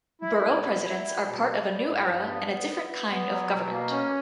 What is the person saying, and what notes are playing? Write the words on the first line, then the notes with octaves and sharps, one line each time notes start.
Borough presidents are part of a new era and a different kind of government.
E4
B2
E4
E4
G3
B2
G3
G3
G2
G2
B3
B3
B3
B3
B3
F#3
B2
A#3
C#4